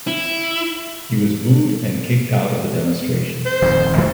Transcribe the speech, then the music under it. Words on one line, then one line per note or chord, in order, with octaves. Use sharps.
He was booed and kicked out of the demonstration.
E4
C5
D#1 F2 D#3
D#3 A3 A#3